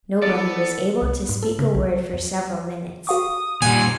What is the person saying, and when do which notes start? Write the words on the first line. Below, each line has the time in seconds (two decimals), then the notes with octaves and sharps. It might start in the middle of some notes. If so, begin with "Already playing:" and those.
Nobody was able to speak a word for several minutes.
0.22 E3 B3 A4 D5
1.02 C2
1.29 G#2
1.43 A4
1.59 C#3
1.75 B1
2.13 E2
3.07 F#4 F5 C#6 D#6
3.62 A#2 G3 F#5 G#5